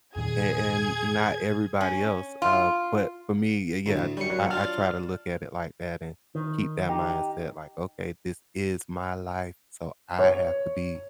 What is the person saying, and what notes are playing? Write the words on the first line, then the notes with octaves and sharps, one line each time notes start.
and and not everybody else, uh, but, for me, y yeah, I I try to look at it like that and keep that mindset like, "Okay, this is my life so I have to be
E2 A#2 D#3 G#4 G#6
C#4
F4
D2 A2
F#2 G3 C#4 C#7
F#3
D4 F4 F6
D#3
D#4 G4
C#5